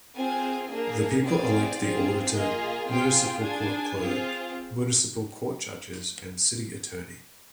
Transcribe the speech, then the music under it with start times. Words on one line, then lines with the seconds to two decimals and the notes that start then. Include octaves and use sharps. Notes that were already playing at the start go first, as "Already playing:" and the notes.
The people elect the auditor, municipal court clerk, municipal court judges and city attorney.
0.16 C4 F4 G#4 G#5
0.69 A#3 D4 G#4
1.24 C4 F4 G#4 D5
1.79 C4 F4 G#4
2.33 A#3 F4 G#4 D#5
2.88 C4 F4 G#4 G5
3.42 D4 G#4 G#5
3.97 C4 F4 G#4